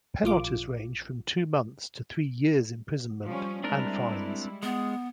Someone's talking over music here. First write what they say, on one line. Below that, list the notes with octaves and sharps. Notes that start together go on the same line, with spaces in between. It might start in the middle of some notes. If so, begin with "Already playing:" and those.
Penalties range from two months' to three years' imprisonment and fines.
A#1 F4 D6
F3 G3 C#4
G3 G#3 C4 D4 E4 A#4
G#3 B3